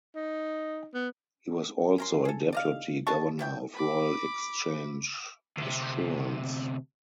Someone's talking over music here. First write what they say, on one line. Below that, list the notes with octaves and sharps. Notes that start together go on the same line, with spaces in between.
He was also a deputy-governor of Royal Exchange Assurance.
D#4
B3
C#4 A#4 C6
G#4 A4
D5 D#5 F5
D4 D#5 A5 C#6
B2 E4 G5
B5 D6
D2 C3